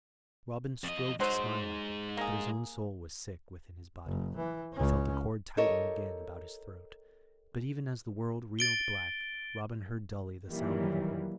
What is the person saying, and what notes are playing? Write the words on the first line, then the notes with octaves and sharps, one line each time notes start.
Robin strove to smile at him; but his own soul was sick within his body. He felt the cord tighten again about his throat, but even as the world reeled black, Robin heard dully the sound of a horn.
F2 D#5
F#3 G#3 D#4 C5
A#3 G#4
F#1
E3
C#2 C#4
G4 A4 A#4 C#5 D#5
A6 D7 G7
A#2 D#3 E3 F#3 G3 A#3